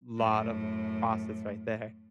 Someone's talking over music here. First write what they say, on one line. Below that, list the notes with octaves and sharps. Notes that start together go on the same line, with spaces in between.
lot of a process right there.
F#2 A2